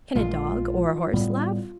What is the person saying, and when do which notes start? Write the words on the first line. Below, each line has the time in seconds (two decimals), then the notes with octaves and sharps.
Can a dog, or a horse laugh?
0.15 A#1 A#2 G#3 F4
1.14 A2 G3 B3